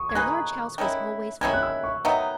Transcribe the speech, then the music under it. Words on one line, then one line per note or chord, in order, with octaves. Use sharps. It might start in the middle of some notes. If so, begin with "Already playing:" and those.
Their large house was always full.
Already playing: C#6 D#6
G#6
A#3 D#4 G#4 B4 F#6
D#3 G#3 C#4 E4
D#3 G#3 C#4 E4 G#6
F#6
E6
C#6
D#3 F#3 B3 D#4 E5